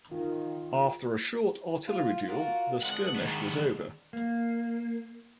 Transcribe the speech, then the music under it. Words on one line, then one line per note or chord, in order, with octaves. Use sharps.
After a short artillery duel the skirmish was over.
D#3 F4
F4
F4 F#4 A#4
G#3 C4 D4 F#5
D#3 B3
A#3